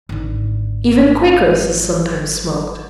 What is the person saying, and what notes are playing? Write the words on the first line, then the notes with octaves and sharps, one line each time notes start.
Even Quakeresses sometimes smoked.
G#1 D3